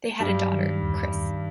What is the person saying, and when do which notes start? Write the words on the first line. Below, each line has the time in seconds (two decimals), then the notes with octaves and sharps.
They had a daughter, Chris.
0.20 G2 F#3 G3
0.51 D#3
0.82 E2
1.12 D#3